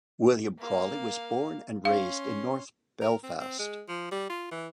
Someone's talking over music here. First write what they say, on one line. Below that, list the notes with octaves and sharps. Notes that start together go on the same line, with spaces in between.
William Crawley was born and raised in north Belfast.
A#3 F5
C#4 F5 C6
A#4
C4
C4
G#3
F3
G3
F4
E3